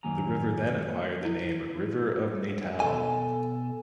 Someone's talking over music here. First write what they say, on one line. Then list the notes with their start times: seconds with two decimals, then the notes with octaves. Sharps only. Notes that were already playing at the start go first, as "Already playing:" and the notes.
The river then acquired the name "River of Natal".
0.03 F#2 D#3 F#3 A#3 G#5 A#5
1.25 E4
2.80 B2 A4 G#5